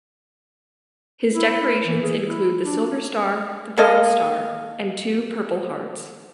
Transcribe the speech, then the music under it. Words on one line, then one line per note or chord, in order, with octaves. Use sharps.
His decorations include the Silver Star, Bronze Star, and two Purple Hearts.
E4
E3
G#4
E4
D4
A#3 A4 D#5 F5